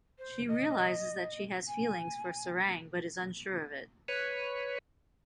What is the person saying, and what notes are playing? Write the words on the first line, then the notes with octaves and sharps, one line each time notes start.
She realizes that she has feelings for Sarang but is unsure of it.
C5
D#5
G#5
B4 C#5